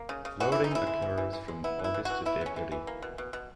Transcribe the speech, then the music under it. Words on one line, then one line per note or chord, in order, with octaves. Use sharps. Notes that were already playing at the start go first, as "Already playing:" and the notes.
Flowering occurs from August to February.
Already playing: A#3
C#3
C#3
E3 F#4
E3 E4
D#4
E3 E4
G#3
E3
E3
E3
G#3
B3 E4
E3 E4
E3
E3 F#4
B3 E4
B3 C#4
E3
E3
A#3
B2
B2
B2